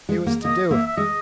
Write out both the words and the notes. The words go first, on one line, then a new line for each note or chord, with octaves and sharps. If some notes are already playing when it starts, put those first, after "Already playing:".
He was to do it.
G#3
A#3
A#3 D#5
A#3 E5
E5
G#3 D#5